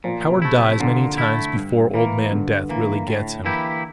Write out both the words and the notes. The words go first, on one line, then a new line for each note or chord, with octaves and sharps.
A coward dies many times before Old Man Death really gets him.
A#2 F3
C3
A3 E4
C3
A#2 D3
A3 E4
G2
E3 A#3
G2 D3
E3 A#3
A2
E3 A#3 E4 G4